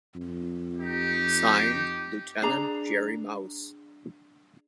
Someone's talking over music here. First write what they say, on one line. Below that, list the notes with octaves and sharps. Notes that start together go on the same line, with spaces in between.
Signed, Lieutenant Jerry Mouse.
F2
D#4 G4
D4 G#4 A#5